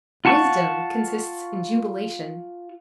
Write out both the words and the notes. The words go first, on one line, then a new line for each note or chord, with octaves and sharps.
Wisdom consists in jubilation.
F4 F#5 A5 C#6